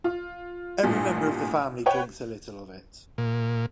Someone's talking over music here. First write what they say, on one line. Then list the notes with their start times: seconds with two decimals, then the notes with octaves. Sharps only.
Every member of the family drinks a little of it.
0.04 F4
0.83 A1 G2 A#2
1.86 B4 C#5 F#5 G5
3.18 A#2